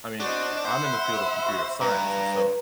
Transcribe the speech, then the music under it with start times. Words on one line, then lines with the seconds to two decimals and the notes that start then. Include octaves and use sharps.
I mean I'm in the field of computer science, and, so,
0.20 D4 F#4 C5 D#5
0.65 C5 E5 F#5 B5
1.46 F#4
1.81 G2 B4 A#5